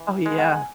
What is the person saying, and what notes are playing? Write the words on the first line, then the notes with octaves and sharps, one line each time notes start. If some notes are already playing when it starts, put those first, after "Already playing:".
Oh, yeah.
Already playing: E3
G#3 B3
F#5
G#5